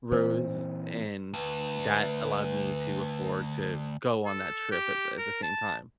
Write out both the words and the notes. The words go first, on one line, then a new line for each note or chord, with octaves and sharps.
rose, and that allowed me to afford to go on that trip at the at the same time,
A#2 E3 C4 C5
D2 B4
A4
G4
A#4
A5